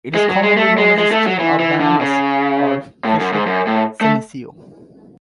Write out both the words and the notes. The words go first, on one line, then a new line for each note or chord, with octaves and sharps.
It is commonly known as string of bananas or fishhook senecio.
G#3
F#3
G#3
A3
G#3
G#3
A3
F#3
E3
E3
D3
C#3
A2
F#2
G#2
F#2
A2
A3